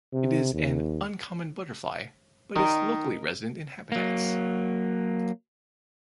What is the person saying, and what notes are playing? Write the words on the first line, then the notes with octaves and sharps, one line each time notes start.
It is an uncommon butterfly but is locally resident in habitats.
C3
D#2
D#3 A#4 D#5
F#3 A#3